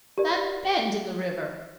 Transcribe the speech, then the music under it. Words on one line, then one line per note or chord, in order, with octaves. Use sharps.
"That bend in the river."
G4 A#4 D5